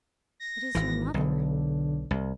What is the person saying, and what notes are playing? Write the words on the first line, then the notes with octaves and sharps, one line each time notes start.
"It is your mother!"
A#6
G#1 E3
B1 D3
C2